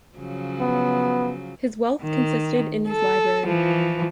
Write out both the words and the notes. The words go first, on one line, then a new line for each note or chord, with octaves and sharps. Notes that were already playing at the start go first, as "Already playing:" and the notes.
His wealth consisted in his library.
C#3 F3 F#3
B3
D#3
A4
E3 F3